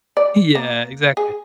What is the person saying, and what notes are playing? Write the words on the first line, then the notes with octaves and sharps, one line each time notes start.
Yeah, exactly.
D5
A#3
G#4